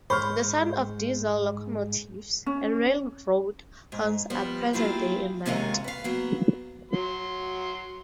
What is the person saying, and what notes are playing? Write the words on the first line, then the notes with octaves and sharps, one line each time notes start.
The sound of diesel locomotives and railroad horns are present day and night.
G#2 C5 B5 C#6 F6
C#4
G#2
F3 G3 B3
F#3 A#3 E4 F4 G4 G#4
D#2 C3 G#3 C#4 F4 A#4
B4 F5
F#3 A#3 B3
F#3 C6